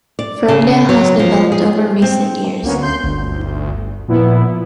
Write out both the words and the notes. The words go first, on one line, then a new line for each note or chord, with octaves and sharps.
Ferndale has developed over recent years.
D5
C#3
F#3
F3
G#4
C4
D2 A#3 B3 C#4
C6 G6
G1 D2
A#2 F3 B3 E4